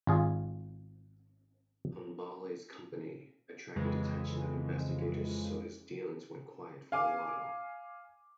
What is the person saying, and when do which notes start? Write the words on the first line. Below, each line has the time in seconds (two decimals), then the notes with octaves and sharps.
Hambali's company attracted attention of investigators so his dealings went quiet for a while.
0.07 G#1 F4 G#4
3.76 F2 C#3 E3 G#3
6.92 F5 G#5 D6